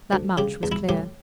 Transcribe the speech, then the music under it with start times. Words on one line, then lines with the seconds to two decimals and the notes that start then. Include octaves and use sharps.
That much was clear.
0.13 D2
0.38 C#3 G4
0.63 E2
0.72 E4
0.89 A2 G4